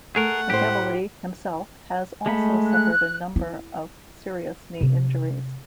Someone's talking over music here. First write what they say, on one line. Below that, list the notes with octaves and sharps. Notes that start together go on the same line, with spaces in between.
McEveley himself has also suffered a number of serious knee injuries.
A3 G#4 A#4 F#5
A2 G4 C5
G#3 A3 B5
F#6
E4
C3